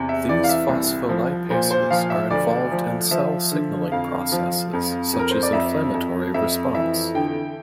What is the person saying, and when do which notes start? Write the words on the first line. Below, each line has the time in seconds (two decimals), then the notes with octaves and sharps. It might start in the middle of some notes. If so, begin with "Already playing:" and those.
These phospholipases are involved in cell signaling processes, such as inflammatory response.
Already playing: E2 C3
0.09 E5
0.29 E3 D5
0.44 F5
0.49 E5
0.69 C2
1.09 F3
1.50 A#2 C5
1.71 C5
1.90 F3 F5
2.10 E5
2.30 D2 D5
2.71 F3
3.11 F3 E5
3.51 D3
3.92 F2 F5
4.32 F3
4.73 F2
5.13 F2
5.19 A#4
5.31 C5
5.43 D5
5.53 F2 E5
5.94 F2
6.34 F2 E5
6.75 E3 E5
7.15 D3 G5